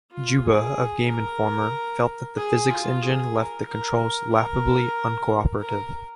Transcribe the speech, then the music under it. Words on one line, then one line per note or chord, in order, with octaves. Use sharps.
Juba of "Game Informer" felt that the physics engine left the controls "laughably uncooperative".
F4
G#4
A#4
G#4
F4
G#4
A#4
A#4
A#4
A#4